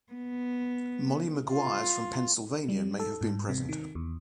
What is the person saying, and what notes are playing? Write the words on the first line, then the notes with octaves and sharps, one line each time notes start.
Molly Maguires from Pennsylvania may have been present.
B3
F4
G3
A4
G#2
C3
D#3
E2